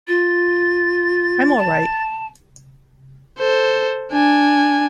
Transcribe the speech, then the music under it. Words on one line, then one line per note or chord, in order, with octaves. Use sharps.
I'm all right.
F4 A6
A5
A4 C5
D4 G#5